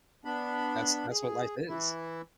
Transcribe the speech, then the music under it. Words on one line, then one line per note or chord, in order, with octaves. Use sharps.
that's that's what life is.
B3 D4 B5
G#4
E3 E4